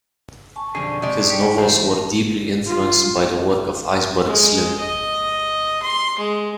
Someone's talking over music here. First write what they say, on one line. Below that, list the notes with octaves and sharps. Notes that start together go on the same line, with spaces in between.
His novels were deeply influenced by the work of Iceberg Slim.
G#5 A5 C#6
B1 F2 D3 G3 G#4
C3 G#3 D5
G4 C#5
E3 A3 F#4 C5
A#4 A5
F4
G#3
D#5
C6
G#3